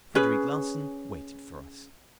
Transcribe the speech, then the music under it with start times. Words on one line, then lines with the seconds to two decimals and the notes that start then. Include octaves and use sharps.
Frederic Larsan waited for us.
0.15 C#4 G#4 B4